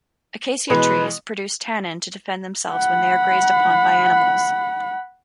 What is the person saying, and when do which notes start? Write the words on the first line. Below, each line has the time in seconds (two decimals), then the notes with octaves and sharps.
Acacia trees produce tannin to defend themselves when they are grazed upon by animals.
0.70 B2 E3 G#3 B4
2.72 F#5 B5